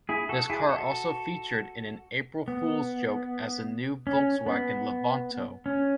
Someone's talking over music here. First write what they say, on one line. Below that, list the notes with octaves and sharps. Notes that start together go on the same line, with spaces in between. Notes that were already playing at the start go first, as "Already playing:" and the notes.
This car also featured in an April Fools joke as the new Volkswagen LeVanto.
E4 G#4
F#4 A4
E4 G#4
F#4 A4
B3
C#4
B3
C#4